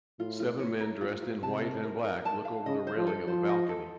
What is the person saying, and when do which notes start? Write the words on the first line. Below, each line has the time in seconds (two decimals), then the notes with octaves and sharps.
Seven men dressed in white and black look over the railing of a balcony.
0.19 A2 F4
0.40 F4
0.60 C#5
0.81 A#4
1.01 F4
1.22 F4
1.42 C3 A5
1.63 A#4
1.83 A#4
2.04 A#4
2.25 A5
2.45 F5
2.66 C#3 D#5
2.87 C5
2.97 F3
3.07 A4
3.27 F3 C5
3.49 D#5
3.69 A4